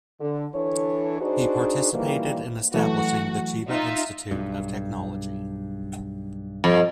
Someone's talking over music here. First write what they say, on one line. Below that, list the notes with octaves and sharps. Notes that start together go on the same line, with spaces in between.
He participated in establishing the Chiba Institute of Technology.
D3
E3 D4 A4 C#5
D4 D#4 F#4 G#4 C5
A#2 D#3 E3 G3 A#3
E3 F#3 A3 F#4
D#4 F4 E5
B1 G2
F2